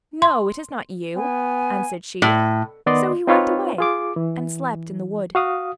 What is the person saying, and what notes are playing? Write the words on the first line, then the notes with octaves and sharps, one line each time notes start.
'No, it is not you,' answered she, so he went away and slept in the wood.
C6
B3 G#5
A2
D#3 B3 D5 D#5 C6
C4 D#4 F4 B4 C#5
F4 G#4 D6
E3
F#4 F5 D#6